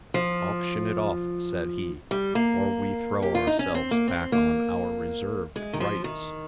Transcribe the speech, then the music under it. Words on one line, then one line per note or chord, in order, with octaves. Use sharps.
"Auction it off," said he, "or we throw ourselves back on our reserved rights."
F3
G3
A#3
G4
F4
D#4
C#4
C4
A#3
C4
A#3
G#3
D#3
F3
D#3